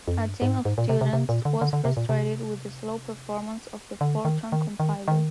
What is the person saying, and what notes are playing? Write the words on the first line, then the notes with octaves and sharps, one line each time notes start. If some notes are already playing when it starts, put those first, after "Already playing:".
A team of students was frustrated with the slow performance of the Fortran compiler.
F2
G2
G#2
G#2
A#2
C3
C3
C3
A#2
D3
D3
D3
C3
A#2
C3
D3
D#3
D#3
D#3
D#3